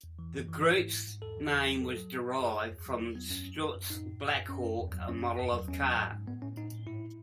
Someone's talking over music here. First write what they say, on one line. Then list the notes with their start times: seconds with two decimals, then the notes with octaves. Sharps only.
The group's name was derived from the Stutz Blackhawk, a model of car.
0.04 E2
0.19 E3
0.34 F#2
0.48 E3
0.62 G#2 E4
0.78 G#2
0.93 G#2
1.07 G#2
1.22 E2 A4
1.37 E3
1.53 E2
1.66 F#3
1.81 G#2 A4
1.97 F#3
2.11 G#2
2.26 G#2
2.41 F#2 G#4
2.57 F#2
2.71 E2
2.86 F#3
3.00 E2 E4
3.15 F#3 B3
3.30 F#2 C#4
3.45 F#3
3.60 F#2
3.75 F#2
3.90 A2 D#4
4.04 A2
4.20 F#2
4.34 F#2
4.49 F#2 C#4
4.64 F#2
4.79 E2
4.94 F#3
5.09 F#2 C#4
5.24 F#2
5.38 E2
5.53 F#3
5.68 E2 C#4
5.83 F#3
5.97 G#2
6.13 G#2
6.26 A2 B3
6.42 A2 C#4
6.57 A2 D#4
6.72 A2
6.86 G#2 E4